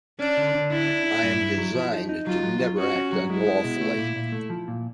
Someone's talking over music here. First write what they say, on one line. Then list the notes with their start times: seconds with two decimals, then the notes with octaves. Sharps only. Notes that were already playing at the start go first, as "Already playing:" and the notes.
I am designed to never act unlawfully.
0.20 C#4 D4
0.37 D3
0.55 D3
0.72 D4 E4
0.89 D4
1.06 D4
1.23 G2
1.40 G2
1.58 F#3
1.75 F3
1.92 D#4
2.09 D#4
2.26 F#3 F4
2.43 F#3
2.60 F#3
2.78 C#4 F#4
2.96 C#4
3.13 F#3
3.30 G#3 E4
3.47 G#3
3.64 B2
3.81 A3
3.98 A#2
4.16 A#2
4.32 A3
4.50 F3
4.68 A#2